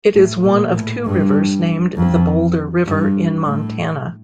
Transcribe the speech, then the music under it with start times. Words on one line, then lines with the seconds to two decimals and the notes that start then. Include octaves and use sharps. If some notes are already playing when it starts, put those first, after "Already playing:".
It is one of two rivers named the Boulder River in Montana.
0.14 A2
0.44 A#2
0.74 A2
1.05 G2
1.96 F2
2.86 G2
3.47 A2